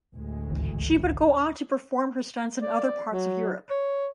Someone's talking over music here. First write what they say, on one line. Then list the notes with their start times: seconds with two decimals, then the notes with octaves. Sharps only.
She would go on to perform her stunts in other parts of Europe.
0.14 D2 A2 G#3
0.50 G#1 C#2 E3
2.62 D5
3.12 F#3
3.70 C#5